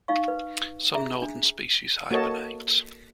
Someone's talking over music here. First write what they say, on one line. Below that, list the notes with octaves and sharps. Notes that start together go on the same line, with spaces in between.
Some northern species hibernate.
D#4 F5 C#6
B4
G#4 E5 A#5
D4
A#3 F#4 A4 C#5 D#5 A5